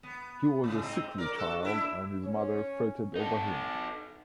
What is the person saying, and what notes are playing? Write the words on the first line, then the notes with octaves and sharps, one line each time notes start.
He was a sickly child, and his mother fretted over him.
B3
A2 C#3
G#2 C4 D#4
A#4 D5
F#4 A4
D4 E4 E5
C#4
D#4 A4